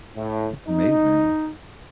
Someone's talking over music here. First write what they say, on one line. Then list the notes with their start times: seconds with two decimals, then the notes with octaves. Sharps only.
That's amazing.
0.16 A2
0.67 D#4